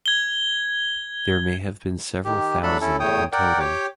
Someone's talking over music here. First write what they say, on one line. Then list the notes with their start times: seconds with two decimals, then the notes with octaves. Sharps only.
There may have been several thousand in total.
0.06 G#6 G7
2.25 D#3 G4
2.63 F#3 A3 D4 A4 A5 B5
2.81 C#4 E4 A4
3.00 E2 A2 A3 C#5 G5 D#6
3.32 A#4 D5 F#5 G5
3.60 G4 C#5 G5 D6